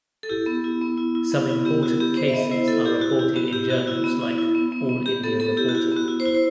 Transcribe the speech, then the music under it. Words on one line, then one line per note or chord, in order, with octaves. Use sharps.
Some Important Cases are reported in Journals like All India Reporter.
A4
E4 G4
B3
E4
B3
E4
E4
B3
E4
B3 G4
E4 F#4
B3 G4
B3 C5
E5
B3 D#5
E4 C5
E4 A4
E4 G4
E4 F#4
E4 G4
B3 F#4
E4 G4
B3 F#4
E4
B3
E4
E4
B3
B3
B3
B3 G4
B3 A4
B3 A4
E4 G4
F#4
E4 G4
B3 F#4
E4
C5
E4
C5